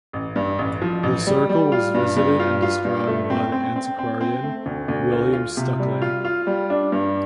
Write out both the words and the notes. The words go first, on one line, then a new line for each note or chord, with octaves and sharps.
The circle was visited and described by the antiquarian William Stukeley.
A1
G2
A1
F3
A1
G3
G3
F4
G2
G2
F4
F4
G2
A3
C4
C4
C4
C4
C4
A3
D2
D2
F4
F4
C3
G3
F4
F4
G3
D4
G2